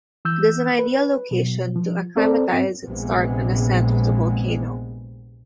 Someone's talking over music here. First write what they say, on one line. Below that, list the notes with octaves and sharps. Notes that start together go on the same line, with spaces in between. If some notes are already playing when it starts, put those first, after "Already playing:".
It is an ideal location to acclimatize and start an ascent of the volcano.
E3 E6 G6
B4
B2 F#3
F3
C4 A4 A#4 C5 D5
G#2 C4
A#1 C3 G#3 B3